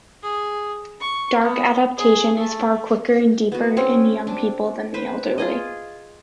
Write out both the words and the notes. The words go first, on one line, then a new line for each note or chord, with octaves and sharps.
Dark adaptation is far quicker and deeper in young people than the elderly.
G#4
C#6
B3
G#4
A3
B3 F#4
C4 C#4
D4
B4 C5
F4 G#4 D#5